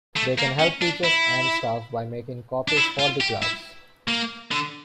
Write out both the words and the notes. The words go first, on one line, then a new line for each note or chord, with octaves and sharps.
They can help teachers and staff by making copies for the class.
A3
A#3
C#4
D4
E4
D4
E4
F4
G4
E4
A#3
D3